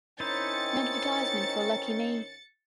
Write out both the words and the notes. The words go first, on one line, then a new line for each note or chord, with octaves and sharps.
An advertisement for Lucky Me!
D#3 C4 C#4 D#4 E4 C5 A6 C#7